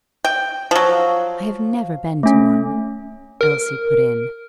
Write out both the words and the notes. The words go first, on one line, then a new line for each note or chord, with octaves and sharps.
'I have never been to one,' Elsie put in.
G5
F3 F#3 F5
A3 C#4
A#4